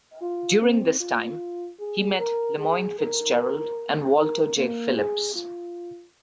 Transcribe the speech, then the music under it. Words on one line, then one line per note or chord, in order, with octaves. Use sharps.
During this time, he met LeMoine Fitzgerald and Walter J. Phillips.
F4
C4
F4
G#4
A#4
G#4
A#4
A#4
A#3
G#4
F4